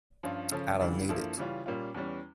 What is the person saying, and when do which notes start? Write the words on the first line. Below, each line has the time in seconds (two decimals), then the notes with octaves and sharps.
I don't need it.
0.23 G2 F3 C#4 F4
0.51 C#3 F3 C#4 F4 A4
0.80 D2 C#3 E3 G3
1.09 G2 F3 A#3 E4 A4
1.37 C#3 E3 G3 C#4 F4
1.66 A#2 G3 A#3 C#4 F4
1.94 E2 E3 G3 C#4